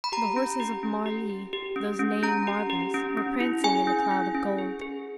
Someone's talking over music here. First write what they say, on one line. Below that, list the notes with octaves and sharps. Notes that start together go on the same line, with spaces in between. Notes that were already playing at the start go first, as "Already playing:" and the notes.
The horses of Marly, those neighing marbles, were prancing in a cloud of gold.
B5
G4 A#5
C#4
G4
C#4
G4
G4
G4
C#4
C#4
C#4 A#5
G4
G4
C#4
C#4
E4
G#4 G#5
C#4
E4
C#4
G#4
G#4